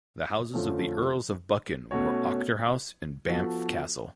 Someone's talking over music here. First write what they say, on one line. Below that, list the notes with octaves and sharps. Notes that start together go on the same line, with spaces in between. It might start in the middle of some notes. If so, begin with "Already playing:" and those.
The houses of the Earls of Buchan were Auchterhouse and Banff Castle.
F2 D3 F3 A3 C#4
B2 A3 C#4 F#4 C#5
F3 B3 F#4 A4